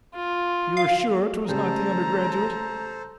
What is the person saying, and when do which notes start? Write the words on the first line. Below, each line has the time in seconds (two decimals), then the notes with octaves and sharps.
"You are sure 'twas not the undergraduate?"
0.15 F4
0.77 F5
1.48 C#3 G3 A3 A4 C5 A#5